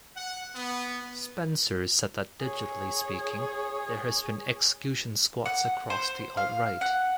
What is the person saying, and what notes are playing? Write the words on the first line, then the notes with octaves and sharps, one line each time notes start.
Spencer said that digitally speaking, there has been execution squads across the alt-right.
F#5
B3
G#4 C#5
F#5
C5
F5
F#5